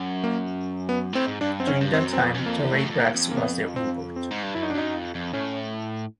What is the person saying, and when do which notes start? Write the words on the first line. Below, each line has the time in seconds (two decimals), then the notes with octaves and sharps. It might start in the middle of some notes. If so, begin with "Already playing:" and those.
During that time, Torraye Braggs was their import.
Already playing: F#2
0.24 A#3
0.89 B3
1.13 A2 C4
1.28 G#2
1.41 G2 D4
1.60 F#2 C4
1.67 C#4
1.81 G2
1.93 G2 C4
2.00 F#2
2.13 C4
2.19 F2 B3
2.34 F#2
2.39 F2
2.46 A#3
2.58 E2
2.73 A3
2.78 F#2
2.90 F2
2.98 E2 A#3
3.14 F2
3.31 A#3
3.37 B3
3.76 C4
4.16 C4
4.31 G#2
4.43 G2
4.55 F#2 E4
4.63 D#4
4.70 D4
4.74 F#2 D#4
4.94 F2
5.15 F2
5.33 A2 C#4